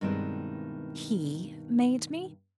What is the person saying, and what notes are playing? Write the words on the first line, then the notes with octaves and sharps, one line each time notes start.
"HE made me--?"
G2 B2 D#3 G#3 C4 E4